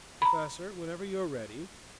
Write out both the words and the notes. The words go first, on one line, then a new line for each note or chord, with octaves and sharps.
"Professor, whenever you're ready. . . ."
A#5 B5